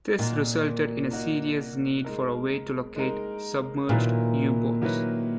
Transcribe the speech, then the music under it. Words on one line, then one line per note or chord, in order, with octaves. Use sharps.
This resulted in a serious need for a way to locate submerged U-boats.
A#2 A#3 D#4 F#4
A#3 D#4 F#4
G#3 D#4 A#4
G#3 D#4 A#4
A#2 D#3 F#3 A#3 E4 B4
D#3 F#3 A#3 E4 B4